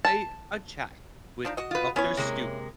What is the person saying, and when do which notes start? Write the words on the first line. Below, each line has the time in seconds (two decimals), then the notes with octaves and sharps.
a a chat with Doctor Stupid."
0.05 A5
1.45 F3 D4 D#4
1.57 F#4 D#5
1.71 F4 B4
1.96 B3 C#4 E4 C#5
2.17 C3 G#3 A#3